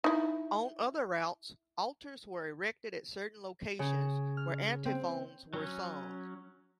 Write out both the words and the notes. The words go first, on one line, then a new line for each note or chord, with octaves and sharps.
On other routes, altars were erected at certain locations where antiphons were sung.
D#4 E4
C#3
F6
C4
F#3 C#4